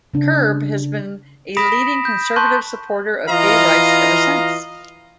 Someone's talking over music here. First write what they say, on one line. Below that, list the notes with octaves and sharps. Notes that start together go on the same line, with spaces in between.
Curb has been a leading conservative supporter of gay rights ever since.
C#3 D4
B5 D#6 A#6 B6 D7 E7
G6
A5 C6 C#6 F#6 G6
E3 F4 D#5 F5 A#5